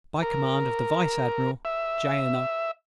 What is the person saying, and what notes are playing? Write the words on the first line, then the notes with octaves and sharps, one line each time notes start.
By Command of the Vice Admiral. JNO.
A#4
E5